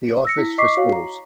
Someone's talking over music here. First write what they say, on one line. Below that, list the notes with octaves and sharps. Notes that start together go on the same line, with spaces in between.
The Office for Schools.
E6 A#6 C#7
E4 B6
D#5 C#6 D6 B6 C7
F#4 C#5 F5
A#5